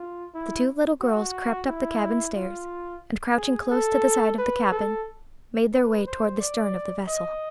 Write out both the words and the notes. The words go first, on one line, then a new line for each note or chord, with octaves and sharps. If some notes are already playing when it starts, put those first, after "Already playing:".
The two little girls crept up the cabin stairs, and crouching close to the side of the cabin made their way toward the stern of the vessel.
Already playing: F4
E4
F#4
E4
F4
G#4
A4
B4
A4
B4
C5
D5
D#5